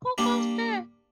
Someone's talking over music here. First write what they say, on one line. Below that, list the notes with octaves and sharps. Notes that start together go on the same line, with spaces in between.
Who goes there?
G3 A#3 D4